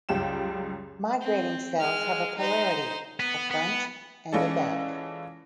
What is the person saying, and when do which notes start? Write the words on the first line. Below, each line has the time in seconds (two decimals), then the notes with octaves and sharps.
Migrating cells have a polarity-a front and a back.
0.09 C#2 F#2 G3 G5 E7
1.21 C4
1.79 G#3 F6
2.38 D#4 C5
3.20 B3
3.51 B3
4.32 E3 G#3 C#4 F4 A4 D5